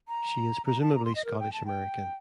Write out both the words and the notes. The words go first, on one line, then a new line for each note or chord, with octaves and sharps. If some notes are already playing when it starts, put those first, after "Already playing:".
She is presumably Scottish American.
A#5
A#5
A5
A#5
C6
D#5
A#4
G5
A5
G5